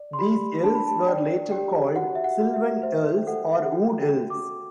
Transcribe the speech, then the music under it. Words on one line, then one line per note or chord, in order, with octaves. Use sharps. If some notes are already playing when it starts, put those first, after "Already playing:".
These Elves were later called Silvan Elves or Wood-elves.
Already playing: D5
C6
G4 B5
D4 A5
B5
A5
D5 G5
G4 G5
F#4 F#5
E5
F#5
F#4
E5
C5 E5
G5
A4 F#5
E5
F#5
F#4 G5
G5
F#4
D6